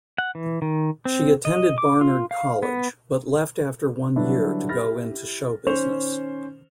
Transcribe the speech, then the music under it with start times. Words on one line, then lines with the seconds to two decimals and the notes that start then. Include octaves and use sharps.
She attended Barnard College, but left after one year to go into show business.
0.18 F#5
0.35 E3
0.62 D#3
1.05 C4
1.45 D#5
1.78 D6
2.01 F4
2.31 F5
2.63 B3
4.16 D3 F#3 G3 D4 E4 B4
4.69 E4 G4 B5 F6 A6 A#6
5.67 D#3 C#4 C5 C#6 E7 F7